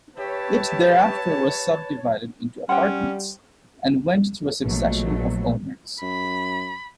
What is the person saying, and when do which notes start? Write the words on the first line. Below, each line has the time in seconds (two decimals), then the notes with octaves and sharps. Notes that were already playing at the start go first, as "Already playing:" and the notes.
It thereafter was subdivided into apartments, and went through a succession of owners.
0.17 G4 B4 C#5 E5 A5
2.69 G3 C#4 G4 C5 F#5 G5 C6
4.64 A#1 B2 F#3 A3
6.02 F#2 B5